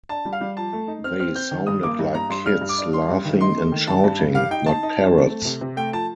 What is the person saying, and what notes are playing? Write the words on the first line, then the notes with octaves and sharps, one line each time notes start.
They sounded like kids laughing and shouting, not parrots.
D4 A5
G3
F5
G3
F3 A5
A3
D#4
C4 F6
C4 F6
C4 G6
D#3
G2 D#6
A#3 D6
G2
G2 A#5
G2 C6
G3 F6
G2
D6
D4
G3 C6
G2
D#3
D#4 C6
A3
D#3
G2 A5
G2
G2
G4 F5
D#4 G5
D#4 A5
D#4
G3
C4
A3
C3
C3
A3 G5
F3 A5